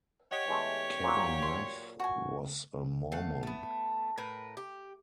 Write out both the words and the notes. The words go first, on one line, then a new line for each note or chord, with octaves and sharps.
Cavanaugh was a Mormon.
G4 C#5 D#5 F#5
E2 G#3 A3
A#2 F#3
C6
F#4 G#5
A3 F5 F#5
A3 B3
A2 A#4 B4
G4